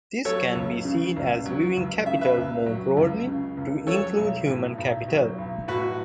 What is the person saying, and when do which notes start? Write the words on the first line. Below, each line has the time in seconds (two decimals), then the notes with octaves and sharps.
This can be seen as viewing "capital" more broadly, to include human capital.
0.25 F#3 A4 C#5
0.55 C#2
0.85 C#3
1.16 C#2
1.46 F#3
1.76 C#2
2.06 C#3 E5
2.21 B4 E5
2.36 C#2
2.66 F#3
2.97 C#2
3.27 C#3
3.57 C#2
3.87 F#3 A4 C#5
4.17 B1
4.47 A2
4.78 B1
5.08 F#3
5.38 B1
5.68 A2 F#4 B4